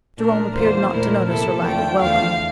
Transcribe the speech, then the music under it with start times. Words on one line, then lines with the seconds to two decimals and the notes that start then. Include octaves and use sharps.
Jerome appeared not to notice her lack of welcome.
0.18 A#2 A3 D4 A#4
0.55 E2 D3 F3 A#3 F4 C5
0.92 A#2 F3 A3 E4 A#4
1.28 C3 F3 A#3 E4 A4
1.65 F2 D3 F3 A3 G5
2.02 E2 D3 F3 A3 F5